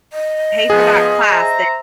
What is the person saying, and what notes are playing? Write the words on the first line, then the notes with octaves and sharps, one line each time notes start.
pay for that class and
D#5
F3 B3 G#4
C5 E5 A#5